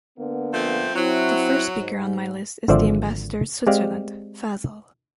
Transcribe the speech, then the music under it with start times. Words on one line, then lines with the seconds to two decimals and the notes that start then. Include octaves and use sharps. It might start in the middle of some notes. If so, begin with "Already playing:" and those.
The first speaker on my list is the Ambassador of Switzerland, Fasel.
0.18 D3 A#3 B3
0.53 F3 A3 C4
0.95 F#3 C4 E4
1.78 G#2
2.68 G#1 D3 F3 C5 D5 E5
3.67 G#3 C4 G4 D5 F5